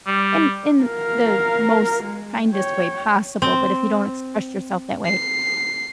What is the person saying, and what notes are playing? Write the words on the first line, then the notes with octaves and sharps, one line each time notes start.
in in the most kindest way possible, but if you don't express yourself that way,
G3
A#4 F5
G#3
C#5 G5
C4
C7